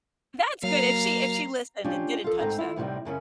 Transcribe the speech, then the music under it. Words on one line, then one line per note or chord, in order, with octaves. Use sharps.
That's good, if she if she listened and didn't touch them.
F#3 A#3 F5 A#5
C#4 D4 F4 G4
F4 A4
G#2 C4 D#4 A4 A#5
E4 F4
D2 A2 C3 G3 D#4
F#2 C#3 C#4